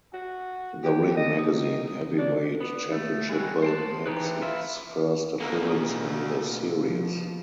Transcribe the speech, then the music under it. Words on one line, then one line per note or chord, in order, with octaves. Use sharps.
The "Ring" magazine heavyweight championship belt makes its first appearance in the series.
F#4
G4
D#5
D#4
D4
B3
A3
G3 G#3 F#4
C5 G5 A5
E3 F#3 D#4 G4 G#4 B4
F4 B4 E5
D2 B2 A#3
F3